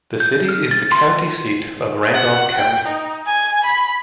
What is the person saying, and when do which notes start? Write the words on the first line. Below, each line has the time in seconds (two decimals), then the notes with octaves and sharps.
The city is the county seat of Randolph County.
0.20 G6
0.49 F6
0.71 A6
0.92 C6
2.13 F#5
2.57 G5
2.85 D#4
3.26 G#5
3.64 B5